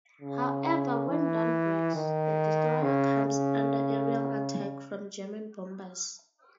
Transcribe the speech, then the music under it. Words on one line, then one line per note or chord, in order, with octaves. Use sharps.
However, when dawn breaks, the destroyer comes under aerial attack from German bombers.
C#3
E3
D#3
C#3
C#3